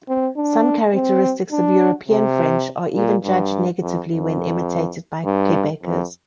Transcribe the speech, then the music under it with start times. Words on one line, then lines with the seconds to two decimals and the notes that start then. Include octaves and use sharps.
Some characteristics of European French are even judged negatively when imitated by Quebecers.
0.08 C4
0.37 D4
0.94 C4
1.52 D4
2.09 C3
2.95 A#2
3.24 G2
3.82 F2
4.10 F2
5.25 G2
5.83 F2